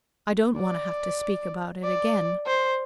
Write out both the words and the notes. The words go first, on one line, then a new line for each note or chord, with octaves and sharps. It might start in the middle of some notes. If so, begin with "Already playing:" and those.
I don't want to have to speak about it again.
D5
D5
C5